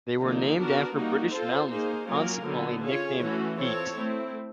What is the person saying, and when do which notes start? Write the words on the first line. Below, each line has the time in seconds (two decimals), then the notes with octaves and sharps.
They were named after British mountains, and consequently nicknamed Peaks.
0.19 D3 F3 A#3 D#4
0.56 B3 D4 F#4 A#4
0.94 G3 A#3 D#4 F#4
1.32 C4 F4 A4 C5
1.69 A#3 D#4 G#4 C5
2.06 F#3 A#3 C#4 F4 A#4
2.44 D3 F#3 B3 D#4
2.82 C#4 F4 G#4 C#5
3.20 E3 A3 C#4 F#4
3.57 C4 F4 A4 C#5
3.95 A3 C4 E4